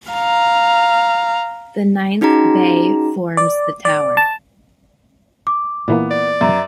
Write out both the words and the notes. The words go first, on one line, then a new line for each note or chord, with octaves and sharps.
The ninth bay forms the tower.
F5 A#5
C#4 D#4 F#4 G#4 A#5
D5
D5
A5
D6
A#2 E3 A#3 B3
D5
F#2 E5 A#5